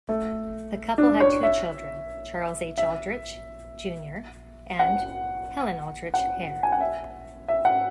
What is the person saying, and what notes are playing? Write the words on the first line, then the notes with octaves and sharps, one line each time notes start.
The couple had two children, Charles H. Aldrich, Junior and Helen Aldrich Hare.
A3
D4
C#5
E5
E5
F#5
F#5
G#5
F#5
E5
E5
F#5